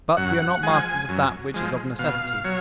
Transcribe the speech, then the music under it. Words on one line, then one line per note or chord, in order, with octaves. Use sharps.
But we are not masters of that which is of necessity.
F#2 F#5
F3 G#3 G#5
F#2
F3 G#3
B2 F5
F#3 C#5